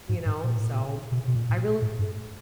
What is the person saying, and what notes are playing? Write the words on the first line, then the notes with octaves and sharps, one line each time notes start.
you know, so I really
G#2
G#2
A#2
A2
A#2
B2
B2
A#2
A2
A#2
A2
G2